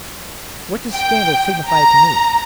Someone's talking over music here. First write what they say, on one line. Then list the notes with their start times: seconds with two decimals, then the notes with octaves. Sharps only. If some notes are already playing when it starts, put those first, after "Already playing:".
What does scandal signify to me?
0.94 G5
1.68 A#5